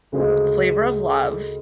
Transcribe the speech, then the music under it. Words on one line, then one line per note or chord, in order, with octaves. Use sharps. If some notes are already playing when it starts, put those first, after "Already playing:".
Flavor of Love,
D2 C#3 G#3 C5